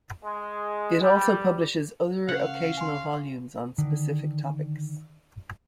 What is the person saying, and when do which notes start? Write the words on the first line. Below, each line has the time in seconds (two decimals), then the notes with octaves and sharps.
It also publishes other occasional volumes on specific topics.
0.23 G#3
1.00 G3
2.28 C#3 C#5 F5 F#5
2.77 G#5 C6
3.78 D3 D#3